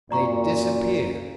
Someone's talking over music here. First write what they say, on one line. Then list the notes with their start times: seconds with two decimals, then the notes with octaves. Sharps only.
They disappear.
0.11 F#2 A#2 D5 A#5 C#6